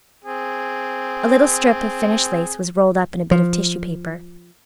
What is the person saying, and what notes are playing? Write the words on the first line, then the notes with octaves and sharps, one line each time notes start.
A little strip of finished lace was rolled up in a bit of tissue paper.
C4 G#4
F3